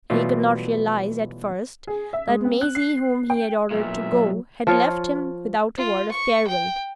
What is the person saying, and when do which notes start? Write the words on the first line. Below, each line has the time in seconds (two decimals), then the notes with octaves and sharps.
He could not realise at first that Maisie, whom he had ordered to go had left him without a word of farewell.
0.10 B2 E3 F#3 G3 A3 F4
1.87 G#4
2.13 E5
2.28 G#3
2.45 C4
2.61 F#6
2.75 C7
3.30 G5
3.71 B1 A#2 E5
4.12 F#3
4.67 F3 F4 C#5
5.78 F4
6.11 C#6
6.47 G5